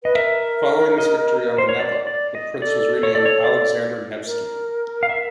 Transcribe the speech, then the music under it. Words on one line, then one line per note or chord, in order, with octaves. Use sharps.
Following this victory on the Neva, the prince was renamed Alexander Nevsky.
B4 D#5
A#4 E5
D#5
C5
C#5
D5
D5
D#5
A4 D5
C#5
D5
C#5
D5
A#4
F5
E5